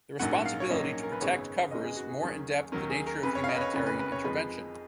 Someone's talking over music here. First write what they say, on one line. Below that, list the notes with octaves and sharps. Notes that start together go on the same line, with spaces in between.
The responsibility to protect covers more in depth the nature of humanitarian intervention.
A#1 G#2 F#3 A#3 C#4 F#5
F#5
F5
C#5
A#1 G#2 F#3 A#3 C#4 D#5
A#4
B4
G#1 F#2 C#3 G#3 B3 C#5
G#1 F#2 C#3 G#3 B3 D#5
G#4
F#4
G#4
D#2 D#3 F#3 C#4 G#4
D#2 D#3 F#3 C#4 A#4
G#4
A#4
F#1 F2 C#3 B4
C#5
F5
D#5
B4
C#5
F#1 F2 C#3 B4
B4
B4
C#5
F2 F3 G#3 D#4 B4